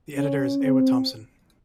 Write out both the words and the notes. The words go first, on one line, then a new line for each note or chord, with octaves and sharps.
The editor is Ewa Thompson.
C#4
C4